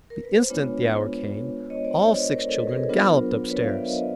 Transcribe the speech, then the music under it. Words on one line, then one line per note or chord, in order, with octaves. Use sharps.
The instant the hour came, all six children galloped up stairs.
A#4
B4
C5
G#3 B3 D4 F4 B4 C#5
C#5 D#5
C5 D5
C#5 D#5
C5 D5
A#4 C5
A4 B4
G#4 A#4
F#3 B3 D4 F4 A#4 C5
B4 C#5
F5
D5 E5
D#5 F5